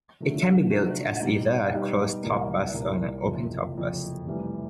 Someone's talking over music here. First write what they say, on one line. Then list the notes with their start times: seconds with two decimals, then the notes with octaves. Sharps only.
It can be built as either a closed top bus or an open-top bus.
0.20 C3 F3 A3 D4 F#4
0.70 C3 F3 A3 D4 F#4
1.21 B2 G3 B3 D#4 G4
1.73 B2 G3 B3 D#4 G4
2.23 C2 A#2 G3 A#3
2.74 C2 A#2 G3 A#3
3.25 F#1 F2 C3 F3
3.76 F#1 F2 C3 F3
4.27 F1 F2 C3 E3 G3